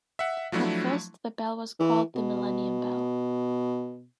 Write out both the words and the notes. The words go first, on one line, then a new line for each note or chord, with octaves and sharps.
At first the bell was called The Millennium Bell.
E5 F#5
F3 F#3 A3 D4 E4
E3
B2